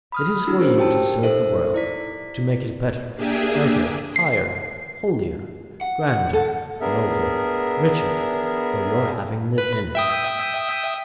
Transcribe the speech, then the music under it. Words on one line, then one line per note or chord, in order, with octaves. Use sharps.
It is for you to serve the world, to make it better, brighter, higher, holier, grander, nobler, richer, for your having lived in it.
B5 D#6 F6
D4 E4 F#4 E6
C#4 G#4 A#4 C5 C#5
G4 G5 A5 E6
D#4 A4 C5 E5
E4 D5 B6
A#3 D4 G4 G#4 E5 G#5
C7
F#5
A4
B3 D4 G#4 A#4 E5
B4
E5 G5 D#6